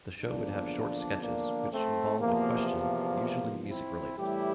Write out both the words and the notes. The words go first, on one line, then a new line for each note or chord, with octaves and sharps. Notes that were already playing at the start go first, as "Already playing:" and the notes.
The show would have short sketches, which involved a question, usually music-related.
E2 D3 F3 A#3 D4
A#3 D4
A3 C4
E2 C3 F3 A#3
A#3
C4 E4
A2 E3 G3 E4 G4